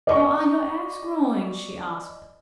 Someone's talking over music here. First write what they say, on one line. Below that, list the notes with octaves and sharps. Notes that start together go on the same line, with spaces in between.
"How are your eggs growing?" she asked.
D5 D#5 C#6